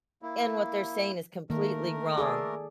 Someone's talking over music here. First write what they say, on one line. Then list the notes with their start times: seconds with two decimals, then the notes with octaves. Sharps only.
And what they're saying is completely wrong
0.22 A#3 E4
1.50 D#3 A3 A#3 A#4
2.18 G#4 A4 D5